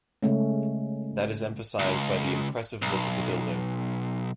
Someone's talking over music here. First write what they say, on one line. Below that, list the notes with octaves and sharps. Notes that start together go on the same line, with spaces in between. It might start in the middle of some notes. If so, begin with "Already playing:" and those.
That is emphasized by the impressive look of the building.
C#3 G#3 A3 C#4
C#2
B1